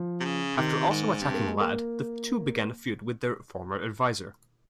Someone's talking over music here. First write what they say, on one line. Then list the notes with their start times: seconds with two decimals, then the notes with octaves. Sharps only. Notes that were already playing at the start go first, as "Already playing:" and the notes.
After also attacking Ladd, the two began a feud with their former adviser.
Already playing: F3
0.20 C3
0.25 C#3
0.57 C3 D#3
0.90 G#2
1.21 G2 C4
1.34 A#3
1.47 G#3
1.60 A#3